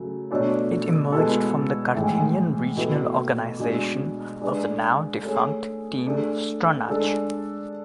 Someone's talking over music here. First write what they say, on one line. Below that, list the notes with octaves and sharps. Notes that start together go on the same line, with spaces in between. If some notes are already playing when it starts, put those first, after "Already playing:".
It emerged from the Carinthian regional organization of the now defunct Team Stronach.
Already playing: C#3 F#3 A3
B2 A3 D4 A4 C#5
B2 G#3 B3 E4 A4
A2 E3 G#3
B2 A3 E4 B4
B2 G#3 D4 G#4
G#3 D4 G#4 B4
A3 C#4 G#4
A3 D4 G#4
G#3 D4 A4 D5